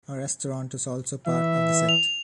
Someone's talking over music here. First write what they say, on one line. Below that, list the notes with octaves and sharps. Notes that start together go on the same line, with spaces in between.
A restaurant is also part of the set.
E3 E5
F7